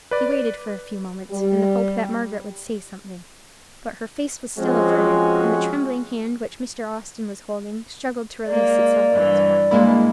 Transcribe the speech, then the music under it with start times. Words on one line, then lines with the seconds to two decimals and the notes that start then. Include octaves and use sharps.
He waited for a few moments, in the hope that Margaret would say something; but her face was still averted, and the trembling hand which Mr. Austin was holding struggled to release itself from his grasp.
0.11 B4 D5
1.31 G3
4.57 F3 G#3 C4 C#4 F#4
8.45 G#3 A#3 D5
9.10 G2 E3
9.71 G2 G#3 A#3 E4